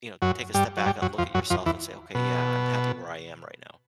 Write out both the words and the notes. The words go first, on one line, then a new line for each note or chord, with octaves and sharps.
you know, take a step back and look at yourself and say, "Okay, yeah, I'm happy where I am right now."
F#2 F#3
G2 G3
F#3
G2 G3
F#2 F#3
F2 F3
F#2 F#3
F2 F3
E2 E3
B2